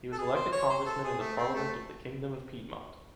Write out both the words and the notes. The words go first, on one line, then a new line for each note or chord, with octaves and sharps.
He was elected congressman in the Parliament of the Kingdom of Piedmont.
A4
G#4
C5
C#5
C5
A4
G#4
A3
C4
A3